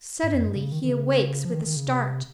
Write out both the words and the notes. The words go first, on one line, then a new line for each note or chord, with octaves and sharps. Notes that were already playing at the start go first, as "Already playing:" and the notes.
Suddenly he awakes with a start.
G#2
F2
G2
C#3
D#3
D#3
C#3
F3
D#3
D#3
C#3
C3